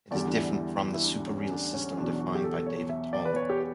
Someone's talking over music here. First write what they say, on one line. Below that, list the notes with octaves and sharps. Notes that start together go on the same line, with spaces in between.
It is different from the super-real system defined by David Tall.
E2 D3 G3 D5
D4
E4
E4
D4
C#4
D4
C#4
E2 B2 F#3 D4
F#4
G4
A4
C#5
E5
D5
B4
C#5
G4